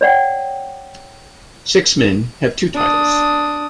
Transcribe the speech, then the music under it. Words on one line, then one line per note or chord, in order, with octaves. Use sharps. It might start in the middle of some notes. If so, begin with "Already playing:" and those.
Six men have two titles.
C#5 D5 F#5 G5
D4 D#6